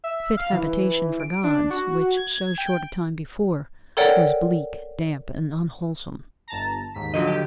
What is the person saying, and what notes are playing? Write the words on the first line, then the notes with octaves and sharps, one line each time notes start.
Fit habitation for gods, which, so short a time before, was bleak, damp, and unwholesome.
E5
F5
E3
D7
D4
F#4
G#6
G5
A4 A#4 C#5 D5 F#5 G5
G1 A5 A#5
D#2 G#2 B6
D3 F3 F#3 D#5
G4